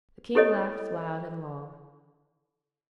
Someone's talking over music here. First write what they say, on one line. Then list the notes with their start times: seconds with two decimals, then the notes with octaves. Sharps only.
The king laughed loud and long.
0.35 E4 G4 A4 C#5 D#5